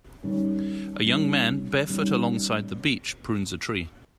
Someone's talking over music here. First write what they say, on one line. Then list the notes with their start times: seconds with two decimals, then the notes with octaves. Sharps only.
A young man, barefoot along side the beach, prunes a tree.
0.23 D#3 G3 C#4
1.06 D#3 G3 C#4
1.88 D#3 G3 C#4